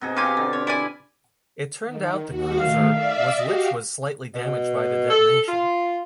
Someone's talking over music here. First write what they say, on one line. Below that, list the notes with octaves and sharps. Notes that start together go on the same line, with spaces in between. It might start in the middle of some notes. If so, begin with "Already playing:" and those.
It turned out the cruiser was which was slightly damaged by the detonation.
B2 C4 D#4 G#4
D#4 F4 G4 F5 G#5 D6
D3
C#5
E4 D5 G#5
D#3
D#2 F#4
D#3 A3 F5
D5 E5
F#4 G4 D#5 F5
B2
A4
F4